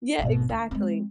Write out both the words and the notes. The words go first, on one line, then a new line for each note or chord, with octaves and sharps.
Yeah, exactly.
G#1 B2
D2
G#3 C4